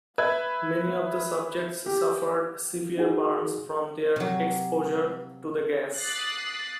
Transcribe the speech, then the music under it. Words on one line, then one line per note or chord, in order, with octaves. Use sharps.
Many of the subjects suffered severe burns from their exposure to the gas.
B4 E5 G#6
G4
D#4 F#4 G#4
C3 F#3
D6 D#6 F#6 A6 B6 C7